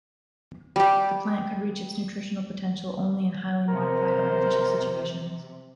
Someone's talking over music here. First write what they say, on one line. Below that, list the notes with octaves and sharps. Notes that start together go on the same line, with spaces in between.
The plant could reach its nutritional potential only in highly modified artificial situations.
G3 G4
C3 A#4 C5